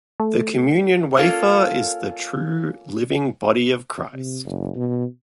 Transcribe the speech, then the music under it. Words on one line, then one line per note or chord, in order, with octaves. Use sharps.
The communion-wafer is the true living body of Christ.
A3
A#3 C#4 F4 A4
C3
F#1
B2